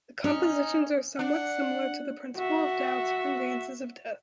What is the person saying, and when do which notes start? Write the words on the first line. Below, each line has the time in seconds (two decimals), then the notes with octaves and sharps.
The compositions are somewhat similar to "The Principle of Doubt" and "Dances of Death".
0.24 C#4 D#4
1.19 D4 F#5
2.36 F#4 E5